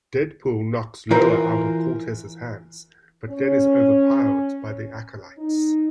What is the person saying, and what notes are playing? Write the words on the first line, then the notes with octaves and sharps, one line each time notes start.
Deadpool knocks Loa out of Cortez's hands, but then is overpowered by the Acolytes.
E3 F4 A#4 C5
C#4
D#4